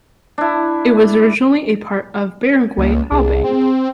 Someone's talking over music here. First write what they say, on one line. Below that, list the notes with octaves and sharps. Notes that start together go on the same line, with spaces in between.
It was originally a part of Barangay Alabang.
D4 E4
C#2 A#3
C2 G#4
C4